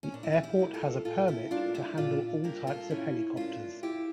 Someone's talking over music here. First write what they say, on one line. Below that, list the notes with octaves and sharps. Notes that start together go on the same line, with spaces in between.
The airport has a permit to handle all types of helicopters.
C#4
A#2 D4
E4
F4
E4 G4
G3 A#3
F4 A4
A#2 F4 A4
E4 G4
G3 A#3 D4 F4
E4 G4
A#2 D4 F4
G3 A#3 G4 A#4
F4 A4
A#2 C#4 E4
G3 A#3 D4 F4
F2 E4 G4